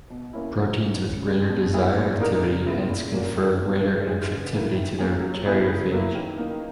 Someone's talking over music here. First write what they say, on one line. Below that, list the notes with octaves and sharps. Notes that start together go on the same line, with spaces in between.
Proteins with greater desired activity hence confer greater infectivity to their carrier phage.
B2
A#3 C#4 E4
F#3
C#4 E4
C#3
G#3 C#4
B2
A#3 E4 G#4
A#2
A#3 D#4 A#4
C#3
G#3 B3 E4
A#2
A#3 C#4 F#4
D#3
F#3 B3
E3
G#3 D#4 G#4 B4
C#3
E3 A#3 E4 A#4
D#3
F#3 A#3 C#4 G#4
F#3
B3 E4 G#4 B4
C#3
F#3 A#3 E4
D#3
A#3 D#4